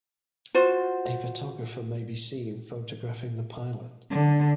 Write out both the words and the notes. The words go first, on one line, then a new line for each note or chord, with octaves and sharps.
A photographer may be seen photographing the pilot.
F4 F#4 C5
D3